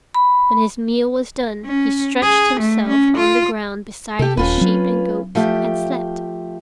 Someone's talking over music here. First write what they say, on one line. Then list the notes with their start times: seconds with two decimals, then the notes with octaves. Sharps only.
When his meal was done, he stretched himself on the ground beside his sheep and goats, and slept.
0.15 B5
1.65 C#4
2.22 G#4
2.60 A3
2.89 C#4
3.17 F4
4.19 C3 G4 A4
4.37 D#1 C#4 F4 B4
4.58 F#3 C4
5.35 F3 A3 G4